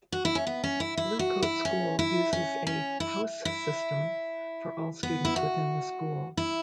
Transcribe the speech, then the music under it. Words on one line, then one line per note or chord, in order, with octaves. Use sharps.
Blue Coat School uses a "house system"; for all students within the school.
F#4
E4
C#4
B3
C#4
E4
E4
F#4
E4
C#4
E4
C#4
C#4
E4
E4
B3
E4
F#4
E4